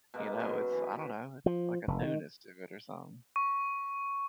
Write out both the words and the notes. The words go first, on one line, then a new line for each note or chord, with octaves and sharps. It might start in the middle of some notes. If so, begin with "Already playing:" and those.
you know, it's, I don't know, like a newness to or something
B2 G#3 A#3
F#2 B2 G#5
E3
F3
F1
D#3
C#6